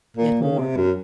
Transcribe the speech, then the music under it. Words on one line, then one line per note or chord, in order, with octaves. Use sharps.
Yet more.
A#2
C#3
C3
F#2